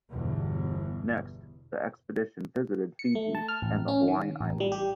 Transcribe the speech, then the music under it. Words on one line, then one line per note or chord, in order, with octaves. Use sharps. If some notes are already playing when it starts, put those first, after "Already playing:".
Next the expedition visited Fiji and the Hawaiian Islands.
G1 E2 B2
C#7
A3
A5
F6
A1
C#4
D#3
A1
G3
G4